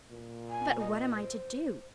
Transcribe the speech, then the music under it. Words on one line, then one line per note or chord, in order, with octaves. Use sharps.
"But what am I to do?"
A#2
G#5
D#5
C5